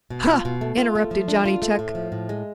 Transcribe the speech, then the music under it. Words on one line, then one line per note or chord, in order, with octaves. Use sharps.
"Huh!" interrupted Johnny Chuck.
B2
F4
B2
A3
F4
A3
F3
D4
F4
A3
A2
F3
A2
G#3